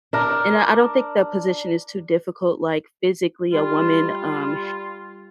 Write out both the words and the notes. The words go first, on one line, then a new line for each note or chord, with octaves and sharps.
and, uh, I don't think the position is too difficult, like, physically a woman, um,
D4 A#4
G3 F4